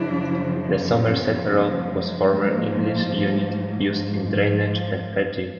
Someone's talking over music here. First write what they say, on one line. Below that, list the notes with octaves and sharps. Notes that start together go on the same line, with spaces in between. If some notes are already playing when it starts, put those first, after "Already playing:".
The Somerset rope was a former English unit used in drainage and hedging.
Already playing: F#2 C#3 F3 D4 E4
B3 C#4
A#3 C4
G#3 A#3
G#2 F3 G#3 A#3
G3 A3
F#3
F3